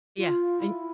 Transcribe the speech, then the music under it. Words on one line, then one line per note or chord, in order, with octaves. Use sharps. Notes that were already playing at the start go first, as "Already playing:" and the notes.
Yeah, and
F4
E4